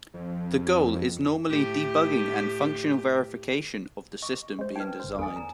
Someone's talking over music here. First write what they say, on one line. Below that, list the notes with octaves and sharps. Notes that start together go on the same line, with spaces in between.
The goal is normally debugging and functional verification of the system being designed.
F2
A2 A3 G4
D#5 C#6 D6
G#3 C5
D#4 B4 G5
G1 C5
E2 A4 D5 G#5
A#5